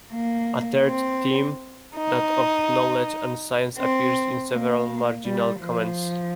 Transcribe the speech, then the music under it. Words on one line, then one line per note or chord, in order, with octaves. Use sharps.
A third theme, that of knowledge and science, appears in several marginal comments.
A#3
C4
D#4
C4
A#3
G3
F3